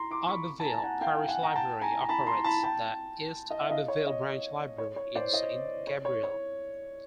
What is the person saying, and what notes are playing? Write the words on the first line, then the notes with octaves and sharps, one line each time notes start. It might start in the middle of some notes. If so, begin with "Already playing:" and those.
Iberville Parish Library operates the East Iberville Branch Library in Saint Gabriel.
Already playing: A#5 C6
C6 D6
B5 C#6
A5
G#5 A#5
A5
F#5 G#5
F5 G5
F#5 G#5
A#5
G5 A5
G#5 A#5
A#5
A5 B5
A#5 C6
A5 B5
G5 A5
D#5
E5
D#5 F5
C#5
C#5 D#5
C#5
C#5
C5 D5
C#5 D#5
C#5
C#5
C#5